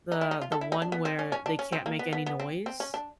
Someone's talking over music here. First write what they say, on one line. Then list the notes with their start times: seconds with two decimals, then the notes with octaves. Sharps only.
The The one where they can't make any noise.
0.12 D#4
0.21 E4
0.31 D#4
0.41 F4
0.52 A4
0.61 E4
0.72 D#4
0.82 D4
0.92 B3
1.05 C4
1.19 C#4
1.32 C#4
1.46 D4
1.59 C#4
1.72 C4
1.86 A#3
1.99 B3
2.13 B3
2.26 B3
2.40 C4
2.66 C4
2.80 C#4
2.94 D4